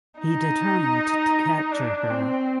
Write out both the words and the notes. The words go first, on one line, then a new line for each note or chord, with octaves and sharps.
He determined to capture her.
D#4
D4
C4